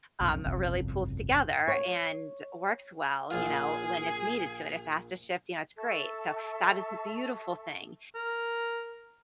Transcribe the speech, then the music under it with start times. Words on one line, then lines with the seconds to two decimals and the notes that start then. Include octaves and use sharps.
um, really pulls together and works well, you know, when it's needed to, in a faster to shift, you know, it's great. So that is the beautiful thing,
0.20 B1 F2 C#3
0.44 G1 C2 F2 C#3
1.68 C#5
3.31 A#1 F4 G#4
5.77 A4 E5 A5 C#6
8.15 A#4